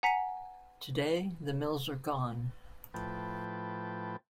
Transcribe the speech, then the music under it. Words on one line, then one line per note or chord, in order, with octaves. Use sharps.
Today, the mills are gone.
F#5 G#5 A#5 B6 C#7
A2 F3 B4 G5 A5